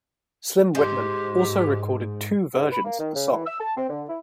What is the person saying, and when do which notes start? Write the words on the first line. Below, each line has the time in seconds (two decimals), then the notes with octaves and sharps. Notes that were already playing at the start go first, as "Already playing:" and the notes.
Slim Whitman also recorded two versions of the song.
0.75 G#2 G#3 G4 C5
2.54 G#2
2.72 B5
2.85 A#3
2.99 D#3
3.15 C#3
3.31 E3
3.46 E6
3.60 A5
3.77 C4
3.90 D3
4.09 E4